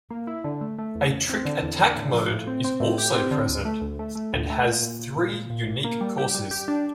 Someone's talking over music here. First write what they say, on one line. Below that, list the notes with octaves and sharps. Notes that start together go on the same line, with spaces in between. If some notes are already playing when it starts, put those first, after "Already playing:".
A trick attack mode is also present and has three unique courses.
A#3
E4
D3
A3
A3
E2
E2
C4
D3
E2
D3
A2
F3
A2
C4
C4
A2
G4
C4
D3
D2
A3
D2
A3
A3
D2
A3
A#2
A#2
A#2
A#2
A#2
A#2
A#2
A#3
G3
G4
G3
G4
D4